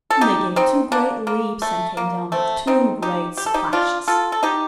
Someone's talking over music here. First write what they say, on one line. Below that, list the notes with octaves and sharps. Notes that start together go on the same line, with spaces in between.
And they gave two great leaps and came down with two great splashes.
A4
D#4 G4
C4 D#4
A#3 D4
A#3
A3
A#3
A3 C4
C4 D#4
D#4 G4
G4
A4
D#4 G4
D4 F4
F4 A4
A4
D#4 G4